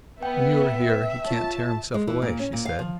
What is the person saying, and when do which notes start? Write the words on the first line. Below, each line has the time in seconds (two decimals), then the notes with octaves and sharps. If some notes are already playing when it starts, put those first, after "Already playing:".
"When you are here he can't tear himself away," she said.
0.23 B3 E5 G5
1.27 F4 C#5 A5
1.94 G#3
2.07 E3
2.22 A#2
2.39 C#4
2.53 A#2
2.65 F5
2.79 F3